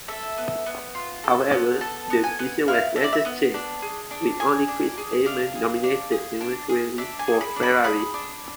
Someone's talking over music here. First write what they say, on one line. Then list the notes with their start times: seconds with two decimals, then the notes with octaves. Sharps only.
However, the decision was later changed, with only Chris Amon nominated eventually for Ferrari.
0.08 A4 E5
0.38 B3
0.66 B3
0.95 F4
1.24 A4
1.52 B3
1.81 A4 A5
2.10 B3
2.24 G#5
2.39 B3
2.68 E4 F5
2.96 A4 E5
3.04 D5
3.13 E5
3.25 B3
3.54 D4
3.82 G#4
4.11 D4
4.40 G#4 G#5
4.68 D4
4.98 G#4
5.26 D4 F5
5.55 G#4
5.84 D4
6.12 G#4
6.41 D4
6.69 G#4
6.98 D4 E5
7.19 G#5
7.28 G#4
7.41 B5
7.56 D4
7.63 B5
7.84 G#4 B5
8.14 D4